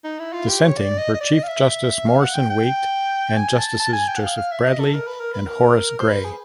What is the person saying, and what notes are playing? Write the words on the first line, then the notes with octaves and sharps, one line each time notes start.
Dissenting were Chief Justice Morrison Waite and Justices Joseph Bradley and Horace Gray.
D#4
E4
F4
G4
C#5
D5
D#5
D#5
D5
D#5
F5
E5
F5
F#5
G5
G5
G#5
A5
A5
G#5
G5
F#5
F5
F5
E5
D#5
A4
A#4
B4
A#4
B4
A#4
C5
B4
G#4